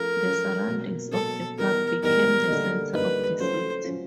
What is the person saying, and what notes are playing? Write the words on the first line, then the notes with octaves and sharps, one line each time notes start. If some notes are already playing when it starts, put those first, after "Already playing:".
The surroundings of the park became the center of the city.
Already playing: F3 A3 C#4 A#4
F3 A3 C#4
B2 F#3 A#3
B2 F#3 A#3 A4
E3 G3 B3 D#4 A#4
E3 G3 B3 D#4 A#4
D3 G3 A#3 D#4
D3 G3 A#3 D#4 B4
F#3 A3 C#4 F4 C5
F#3 A3 C#4 F4